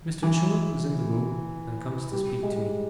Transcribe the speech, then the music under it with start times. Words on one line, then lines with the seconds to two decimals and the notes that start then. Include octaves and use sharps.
Mr. Chillip is in the room, and comes to speak to me.
0.23 E3
2.11 G3
2.43 G#3